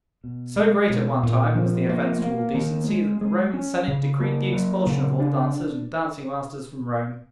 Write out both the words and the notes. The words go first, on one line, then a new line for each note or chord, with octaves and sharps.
So great at one time was the offence to all decency, that the Roman Senate decreed the expulsion of all dancers and dancing-masters from Rome.
B2
G#3
B2
A#2
F3
A#3
A#3
D#3
G#3
G#3
C#4
C#3
A#3
F#3
C#3
D4